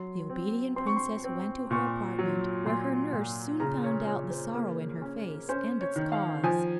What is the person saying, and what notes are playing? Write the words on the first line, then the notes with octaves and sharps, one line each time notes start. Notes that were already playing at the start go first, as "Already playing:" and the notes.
The obedient princess went to her apartment, where her nurse soon found out the sorrow in her face, and its cause.
Already playing: F#3 C6
C4
C4 C6
C#6
C6
C4
A#2 C#6
F#3
A#2 C6
A#2
C#3 A#5
C#5
C#3 C#5
C5
A#3
C#4
C#4 C5
C#5
D#3
F5
F3 G#5